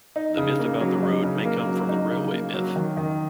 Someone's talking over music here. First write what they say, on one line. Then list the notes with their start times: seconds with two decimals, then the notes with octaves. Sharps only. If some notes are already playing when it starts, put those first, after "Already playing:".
The myth about the road may come from the railway myth.
0.16 D#4
0.37 C#3
0.59 A#3
0.80 F#3
1.02 D#4
1.24 C#3
1.45 A#3
1.67 F#3
1.89 D#4
2.11 C#3
2.32 A#3
2.53 F#3
2.76 D#3
2.97 D#3